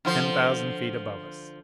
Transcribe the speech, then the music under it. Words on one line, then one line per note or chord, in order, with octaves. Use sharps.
Ten thousand feet above us.
D3 F3 C5